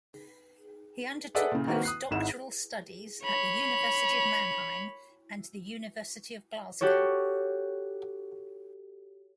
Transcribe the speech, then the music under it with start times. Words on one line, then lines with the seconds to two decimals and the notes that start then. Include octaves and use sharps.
He undertook post-Doctoral studies at the University of Mannheim and the University of Glasgow.
1.35 G#4 A4 B4 D5 E5 F#5
1.52 A#2 C#3
1.67 D#3 A#3 C4 F#4 B4
1.83 D#6 F#6 C7
2.11 G#1 G#2 E4 F#5 E7
3.23 C#5 B5
6.81 F#4 G4 A4 C#5